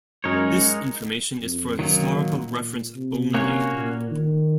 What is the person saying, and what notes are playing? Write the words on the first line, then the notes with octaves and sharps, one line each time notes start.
"This information is for historical reference only".
F#2 G#3 D#4 A#4 C#5
F2
F#2 D#3 F#3 A#3
A#2
C3
A#3 C#4 F#4 C#5
A#2
D#3